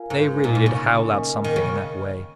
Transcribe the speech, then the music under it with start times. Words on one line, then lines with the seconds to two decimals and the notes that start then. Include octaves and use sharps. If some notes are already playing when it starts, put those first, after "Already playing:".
They really did howl out something in that way.
Already playing: F4 A#4 F5 G#5
0.10 G#2
0.44 A#2 D#4 A#4 D#5 G#5
0.55 A#2
0.66 C#3
1.11 A#3 C#4 A#4 D#5 G#5
1.44 D#3
1.56 C#3